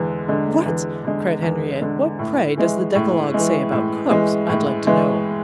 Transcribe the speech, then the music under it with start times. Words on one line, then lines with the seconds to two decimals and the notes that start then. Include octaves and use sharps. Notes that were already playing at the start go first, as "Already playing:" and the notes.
"What!" cried Henrietta "What, pray, does the decalogue say about cooks, I'd like to know?"
Already playing: E2 D3 G#3
0.28 D3 G#3
0.66 E2
1.04 D3 G#3
1.42 E2
1.81 D3 G#3
2.19 A2
2.58 E3 G#3
2.95 A2
3.34 E3 G#3
3.72 A2
4.11 E3 G#3
4.49 A2
4.87 E3 G#3